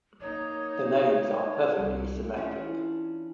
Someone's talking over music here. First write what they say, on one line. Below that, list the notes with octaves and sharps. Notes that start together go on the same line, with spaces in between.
The names are perfectly symmetric.
A#3 D#4 C#5
C2 G3
E3 C#4 D4 F4 C#5 D5